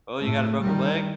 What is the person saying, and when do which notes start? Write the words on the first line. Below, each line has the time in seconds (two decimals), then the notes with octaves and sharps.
"Oh, you got a broken leg?"
0.20 A2 A3
0.60 D#3 G3